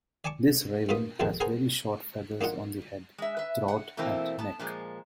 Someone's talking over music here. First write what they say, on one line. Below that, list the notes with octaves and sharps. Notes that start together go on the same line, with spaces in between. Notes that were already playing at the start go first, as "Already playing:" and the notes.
This raven has very short feathers on the head, throat and neck.
D5 G#5 A5 C#6 D6
G2 B2 A#3 F4 B5 D#6
A1 F2 B2 D#3 G#3 A5
B3 G#4 A#4 C5 G#5 A#5
A#3 D4 D#4 F4 F#5
G#3 E5
B4 E5
F#5
B2 E3 A3 A#3 C4 E4
B3 A5
A#2 F3 G#3